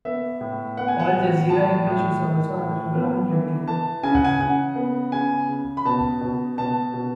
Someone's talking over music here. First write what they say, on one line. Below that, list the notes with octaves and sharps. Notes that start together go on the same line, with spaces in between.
Al Jazeera English is also available on YouTube.
B3 E5
A2
B3 F#5
G#5
F#5
A2
A2 A5
A2
A2
A2
B3
E3
E3 A5
C#3 G#5
F#5
G#5
C#3 F#5
B3
C#3 G#5
C#3
B5
B2 A5
B2
B2 A5
B2